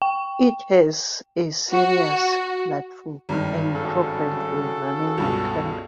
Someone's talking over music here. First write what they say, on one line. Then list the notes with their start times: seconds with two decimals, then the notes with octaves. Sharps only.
It has a serious platform and program for running the country.
0.02 G5
1.71 F#4
3.29 G#1 G2 D#3
3.74 C#3 F#4 A4
5.18 C#2 G2 B2